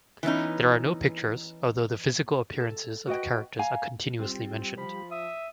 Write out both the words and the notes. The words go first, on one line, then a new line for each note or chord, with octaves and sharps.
There are no pictures, although the physical appearances of the characters are continuously mentioned.
E3 B3 C#4 D#4
A4
F#4 B4 D#5 G5
F5 G#5 A#5
G3 C4 F4 G4
F3 B5
E5 D#6